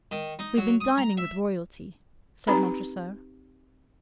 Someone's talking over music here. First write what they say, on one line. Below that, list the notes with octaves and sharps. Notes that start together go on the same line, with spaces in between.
"We have been dining with royalty." said Montresor.
D#3
D#4
F#3
D#6
A#5
E5
C4 D#4 G4 B4 A#5 B5